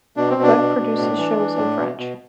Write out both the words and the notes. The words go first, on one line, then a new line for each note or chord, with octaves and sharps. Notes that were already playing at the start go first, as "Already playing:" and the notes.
Quebec produces shows in French.
B2 D4
C4
B2
D4
B2
B2
A2
E3
E3
A2
B2
B2